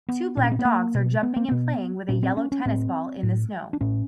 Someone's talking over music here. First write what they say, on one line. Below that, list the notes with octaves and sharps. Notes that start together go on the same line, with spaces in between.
Two black dogs are jumping and playing with a yellow tennis ball in the snow.
B3
A#2 D4
C#4
C4
B3
A#3
B2
B3
A#3
B2 B3
A#2 C#4
C4
C#4
C#4
A2 C4
A2
D4
A2 C#4